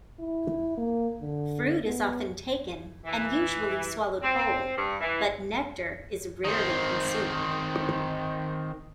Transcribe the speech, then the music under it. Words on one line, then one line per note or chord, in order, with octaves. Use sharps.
Fruit is often taken and usually swallowed whole, but nectar is rarely consumed.
E4
A#3
D3
B3
E3
C4
C4
G2
E3
D#3 C4